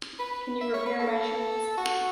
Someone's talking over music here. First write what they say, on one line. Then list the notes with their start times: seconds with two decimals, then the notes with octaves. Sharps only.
Can you repair my shoes?
0.19 B4
0.61 E5
0.74 C#5
0.86 B4
0.99 A4
1.77 F#4